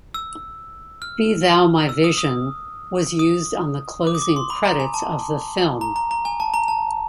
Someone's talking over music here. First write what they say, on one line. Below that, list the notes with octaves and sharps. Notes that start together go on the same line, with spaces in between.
"Be Thou My Vision" was used on the closing credits of the film.
E6
F6
E6
D#6
D#6
D#6
D6
D#6
D6
C6
B5
A#5
G#5
A5
A#5
A#5
A#5
G#5
A5
A#5
A5